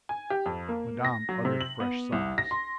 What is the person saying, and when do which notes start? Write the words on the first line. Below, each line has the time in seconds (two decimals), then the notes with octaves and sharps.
Madame uttered fresh sighs.
0.09 G#5
0.30 G4
0.46 F2
0.69 A#3
1.05 A#6
1.29 F#3
1.45 C3
1.61 F#7
1.80 B3
2.12 C2
2.38 A#6
2.51 C6